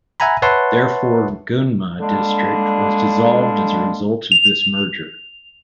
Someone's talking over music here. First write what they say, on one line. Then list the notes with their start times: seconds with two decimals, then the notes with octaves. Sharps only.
Therefore, Gunma District was dissolved as a result of this merger.
0.20 E5 F#5 G#5 A#5 B5
0.42 B4 C#5 E5 F#5 A5 C6
2.00 D3 G3 G#3 A#3 D4
4.32 F7